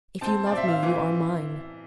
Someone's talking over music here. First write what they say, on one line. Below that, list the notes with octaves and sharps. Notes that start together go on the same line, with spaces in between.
If you love me, you are mine.
C4 A5
D5
C4 E5
F5
E3